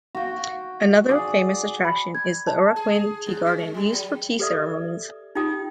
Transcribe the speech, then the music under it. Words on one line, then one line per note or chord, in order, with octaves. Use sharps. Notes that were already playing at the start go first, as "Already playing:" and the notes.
Another famous attraction is the Urakuen tea garden used for tea ceremonies.
F#4 G5
G#4 D5
B5
G#6
A5
G#4
G#4
G#2
C#4
G#3
G3
F#3
G4 A4 B4 D5 E5 D#6
D#4 F4 G4 G5 D#6